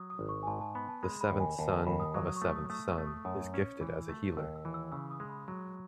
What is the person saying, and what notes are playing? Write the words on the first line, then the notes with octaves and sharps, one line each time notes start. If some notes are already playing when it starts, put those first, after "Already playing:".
The seventh son of a seventh son is gifted as a healer.
Already playing: F#3 D#6
D#6
G#1
C#6
G#5
G#2 A5
A5
B3 B5
A5
G#3 B5
B5
D#2
G#5
D#2 A5
A5
D#2 B5
D#6
F#3 D#6
D#6
C#6
A3 D#6
D#6
A3 D#6
C#6
A3
D#6
F#2 D#6
C#4
E3
A3
D#2 E6
E6
E3
E6
C#3 E6
D#6
G#3
B5
F#3